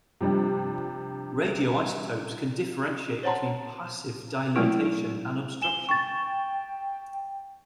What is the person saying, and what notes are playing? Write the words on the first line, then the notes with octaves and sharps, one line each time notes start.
Radioisotopes can differentiate between passive dilatation and obstruction.
C3 F3 G3 D4
C5 C#5 F#5 A5 A#5 C6
F#3 G#3 A3 B3 C#4 E4
G#5 E7 G7
G5 C#6 A6